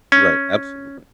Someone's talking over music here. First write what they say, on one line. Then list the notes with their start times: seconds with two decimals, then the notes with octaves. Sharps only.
Right, absolutely.
0.12 C#4